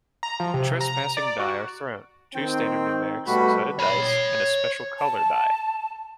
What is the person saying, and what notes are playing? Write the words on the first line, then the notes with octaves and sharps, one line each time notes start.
Trespassing die are thrown: two standard numeric six-sided dice, and a special color die.
A#5
F3
C3
A#5
D5
F#4
D#3 C4 G5
B2 G3 A3 F#4 B5
C#5 B5
A5